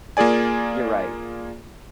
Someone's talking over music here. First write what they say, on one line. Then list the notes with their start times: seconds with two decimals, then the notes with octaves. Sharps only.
You're right.
0.17 A#3 F4 G#4 D5 G#5